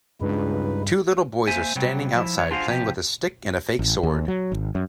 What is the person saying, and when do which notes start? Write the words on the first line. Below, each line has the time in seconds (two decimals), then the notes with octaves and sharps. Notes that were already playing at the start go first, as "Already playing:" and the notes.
Two little boys are standing outside playing with a stick and a fake sword.
0.21 C#2 G2 G#3 D#4 B4
1.47 A#3 C5 E5 G#5
1.76 C3 F#3 G3
2.16 F3 E4
2.38 E3 C#5
2.51 D4 F4 F#4 G#4 C5 F5
2.67 C3 F3 G4
3.79 A1
4.03 D#2
4.28 F#3
4.52 G#1
4.75 F#2